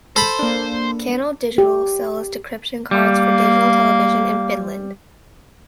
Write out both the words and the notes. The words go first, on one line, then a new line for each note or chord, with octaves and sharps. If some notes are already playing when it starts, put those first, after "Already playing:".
Canal Digital sells decryption cards for digital television in Finland.
A4 C5 B5
A#3 D4
G4
G3 A#3